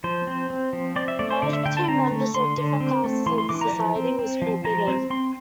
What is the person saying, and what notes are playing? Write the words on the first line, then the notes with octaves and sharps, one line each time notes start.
Marriage between members of different classes of the society was forbidden.
F3 C5
C4
C4
F3
C4 D5
E5
A3 D5
C5
D3 D5
E5
D3 G5
A5
C4 A#5
A3
D3 C6
D3
C4
A3
E3 C6
C6
E3 D6
A#5
F3
C4
C4
F3
F3 A#5
C4
C4 C6